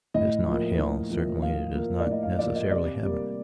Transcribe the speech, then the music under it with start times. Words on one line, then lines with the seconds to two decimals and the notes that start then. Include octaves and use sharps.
It is not Hell, certainly it is not necessarily Heaven.
0.14 A2 D#5
0.47 F3 A#3
0.79 A2
1.10 F3 A#3
1.42 A2 F5
1.75 F3 A#3
2.00 D5
2.07 A2 D#5
2.23 F5
2.39 F3 A#3 D5
2.55 D#5
2.71 C3 D5
3.03 G3 A#3